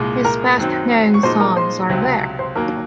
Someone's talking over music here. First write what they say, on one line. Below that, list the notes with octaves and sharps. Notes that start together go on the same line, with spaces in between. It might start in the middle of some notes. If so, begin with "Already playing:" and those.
His best-known songs are There!
Already playing: C2 A#2 G#3
A#4 A#5
F#2 D#3 F#3 C4
C#6
A#2 F3 G#3 D#4 C5 C6
A#4 A#5
C5 C6
C#2 C3 F#3 C4
C5 C6
D#2 D#3 F#3 A#3 A#4 A#5